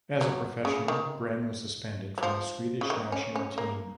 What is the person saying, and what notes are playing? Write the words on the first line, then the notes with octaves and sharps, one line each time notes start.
As a professional, Gren was suspended from the Swedish national team.
F#3
C#3
D#3
F#3
F3
C#3
D#3
C#4
C#4
A#3